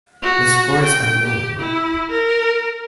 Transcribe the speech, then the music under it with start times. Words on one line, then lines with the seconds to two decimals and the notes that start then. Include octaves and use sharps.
The score is unknown.
0.22 F#4
0.83 G5
1.24 G4
1.59 E4
2.11 A#4